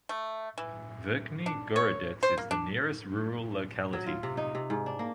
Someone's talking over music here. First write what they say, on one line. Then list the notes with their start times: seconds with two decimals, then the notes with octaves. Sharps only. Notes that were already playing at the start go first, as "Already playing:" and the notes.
Verkhny Gorodets is the nearest rural locality.
0.09 A3
0.58 E3
1.46 D4
1.76 C#5
2.23 C5
2.38 A#3
2.51 D4
3.93 F#3
4.06 F4
4.23 C3
4.37 D#4
4.55 C3
4.70 G#2
4.86 D4
4.99 A#3